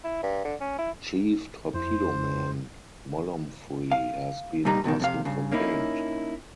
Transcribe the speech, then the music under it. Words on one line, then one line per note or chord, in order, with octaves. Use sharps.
Chief Torpedoman Molumphry has been asking for paint.
E4
G2
D3
C#4
E4
F2 E4 C5
F5
C2 A#2 G3 D#4 A#5
C#2 B2 D3 D#3
F2 C3 F5
G2 C#3
A#3 C#4 D#4 E4